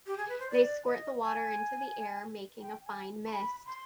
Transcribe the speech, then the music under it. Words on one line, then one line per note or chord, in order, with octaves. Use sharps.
They squirt the water into the air, making a fine mist.
G4
G#4
B4
C5
D5
D#5
G#5
G5
G#5
C6
B5
C6